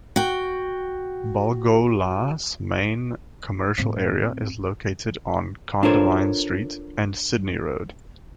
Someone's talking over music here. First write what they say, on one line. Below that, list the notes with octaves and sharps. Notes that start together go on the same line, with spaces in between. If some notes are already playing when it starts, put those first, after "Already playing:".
Balgowlah's main commercial area is located on Condamine Street and Sydney Road.
F#4 G5
A2 C4
D4 F4 A4 A#4 C5 C#5